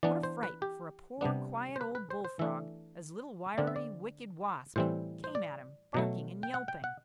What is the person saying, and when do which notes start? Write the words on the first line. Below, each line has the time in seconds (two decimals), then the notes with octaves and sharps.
What a fright for a poor, quiet, old Bullfrog, as little wiry, wicked Wasp came at him, barking and yelping.
0.03 E3 B3 D4 D5
0.23 C5
0.43 B4
0.62 G4
1.21 C3 G3 B3 D4
1.76 C5
1.81 B4
1.95 B4
2.10 C5
2.25 C5
2.39 E3 A3 D4 E5
3.58 D3 A3 C4 D5
3.67 E5
3.76 D5
4.76 A2 E3 G3 C4 C5
5.24 C5
5.35 D5
5.94 B2 F#3 A3
6.43 G5
6.54 F#5
6.68 G5
6.84 F#5